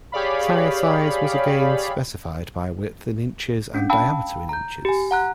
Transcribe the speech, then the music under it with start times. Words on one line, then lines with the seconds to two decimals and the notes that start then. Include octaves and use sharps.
Tire size was again specified by width in inches and diameter in inches.
0.12 G4 G#4 C#5 D5 F5 B5
3.74 C#4 D4
3.90 F5 G5 A5 B5 E6
4.49 A#5 G6
4.85 G4 G#5
5.11 F#5 A#5 F#6